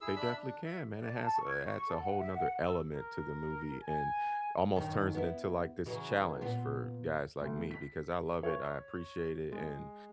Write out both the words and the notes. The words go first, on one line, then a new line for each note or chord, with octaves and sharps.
They definitely can, man, it has a adds a whole 'nother element to the movie and almost turns it into, like, this challenge for guys like me because I love it, I appreciate it, and
E4 G#4 E6
D4 E5 B5 E6
D4
E5
D5
A5
C#6
G#6
C#6
A4
F#5
E5
F#5
E6
A#4
G#5
F#2 D#3
B3 E4
C#3 E3 F#3
A#2 B3 F4
D2
B6
C#5
G#3